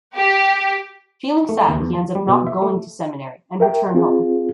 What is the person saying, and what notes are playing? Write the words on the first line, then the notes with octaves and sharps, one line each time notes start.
Feeling sad he ends up not going to seminary and return home.
G4
A3
D#2
E2
A5
G3
B2
E5
A3
A#4 E5 G5
C4 F4 G#4